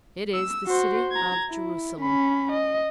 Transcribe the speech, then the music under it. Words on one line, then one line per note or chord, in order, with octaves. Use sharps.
It is the city of Jerusalem.
E6
F#4 C5
A#5 G#6
E4
C#4 B5
D#5